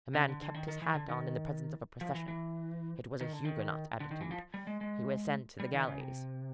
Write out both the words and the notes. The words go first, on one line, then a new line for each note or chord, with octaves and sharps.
A man kept his hat on in the presence of a procession--it was a Huguenot attitude; he was sent to the galleys.
C#3
D3
D3
D#3
D#3
E3
D3
D#3
F3
E3
E3
D#3
D3
D#3
D3
D#3
E3
F3
G3
G#3
G#3
G3
D#3
C#3
C3